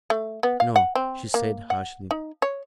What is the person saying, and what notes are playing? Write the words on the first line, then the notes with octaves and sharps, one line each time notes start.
"No!" she said harshly.
A3
B3
F5
F#5
C4
A#3
F#5
D#4
C#5